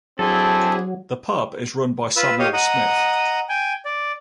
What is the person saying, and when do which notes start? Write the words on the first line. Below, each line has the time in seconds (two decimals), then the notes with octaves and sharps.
The pub is run by Samuel Smith.
0.19 F#3 C4 D4 E4 G#4 A4
2.16 F4 B4 E6
2.39 G4 C#5 D#5 F5 D#6
2.53 D#5 F#5 A#5 D#6
3.49 G5 G#5
3.85 D5